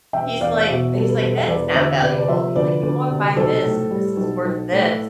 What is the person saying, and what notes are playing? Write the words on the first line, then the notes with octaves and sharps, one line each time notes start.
he's like he's like, "That's not valuable." He's like, "You walk by this, and this is worth this,
E1 E5 G5
E2 D5 F5
B2 C5 E5
G3 A4
B4
E1 A4 C5
E5
E2 B4 D5
D5
D2 C5 E5
C3 B4 D5
D5
F3 C5 E5
D2 B4 D5
D2
C3
B1 A4 C5
A2
G3
B1
B1
A2